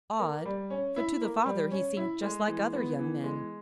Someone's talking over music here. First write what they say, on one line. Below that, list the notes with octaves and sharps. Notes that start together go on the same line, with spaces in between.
Odd, for to the father he seemed just like other young men.
A#3
G3
C#4
E4
A#3
G3
C#4
E4
G#3
E3
B3
E3
G#3